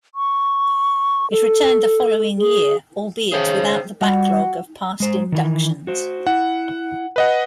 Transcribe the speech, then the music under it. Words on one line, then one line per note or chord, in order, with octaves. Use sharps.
It returned the following year, albeit without the backlog of past inductions.
C#6
A4
G#4
C#3 G#4 C5 G5
G3 F#4
G#3 C5
D#3 E3
F#4 C5
E4 F#5
B4 D#5 F#5